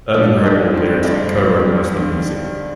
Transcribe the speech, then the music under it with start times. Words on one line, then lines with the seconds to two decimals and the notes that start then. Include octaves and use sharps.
Urban wrote all of the lyrics and co-wrote most of the music.
0.13 F3 D4
0.38 D#4
0.43 G2 D4
0.74 D3 C4
1.03 G2 D4
1.35 F3
1.64 G2
1.93 D3